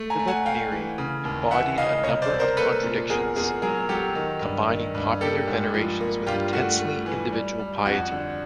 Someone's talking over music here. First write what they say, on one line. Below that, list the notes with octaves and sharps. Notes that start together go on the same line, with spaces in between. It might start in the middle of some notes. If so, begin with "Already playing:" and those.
Philip Neri embodied a number of contradictions, combining popular venerations with intensely individual piety.
Already playing: A3
G#5 A#5
A3
F#5 G#5
A3 F5 G5
E3
C#3
D#2
E3 E5 F#5
C#3 D#5 F5
C2 C#5 D#5
C5 D5
C2
A#4 C5
A#3 A4 B4
A#2
E2 G#4 A#4
E2 G#4 A#4
F#3 G#4 A#4
F#3 G4 A4
D#3
G2
D#3
G2
A#3 G4 A4
G#2
F3
A#3
G2 F4 G4
A3 F#4
A3
E3
G3
G3
F2 F#4
D3